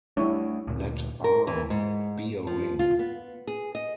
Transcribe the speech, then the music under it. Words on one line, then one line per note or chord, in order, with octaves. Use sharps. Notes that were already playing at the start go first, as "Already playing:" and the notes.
Let "R" be a ring.
G3 A3 D4 E4 C#5
D2 A#2
A#4
E3
G#2
F3
F4
B3
G#4
D#5